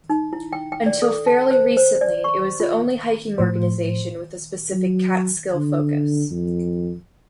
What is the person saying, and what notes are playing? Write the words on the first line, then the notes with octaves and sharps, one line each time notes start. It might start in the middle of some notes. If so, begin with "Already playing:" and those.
Until fairly recently it was the only hiking organization with a specific Catskill focus.
D#4
E4
G5
G5
D5
A4
A5
C5
C5
D5
C#6
F4
A2 F3 C5
F#3
D3
F2